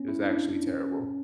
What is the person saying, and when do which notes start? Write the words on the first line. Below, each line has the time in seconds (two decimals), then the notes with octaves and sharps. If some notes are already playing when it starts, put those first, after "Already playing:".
It was actually terrible.
Already playing: B3 C#4
0.08 E4
0.21 D4
0.67 C#4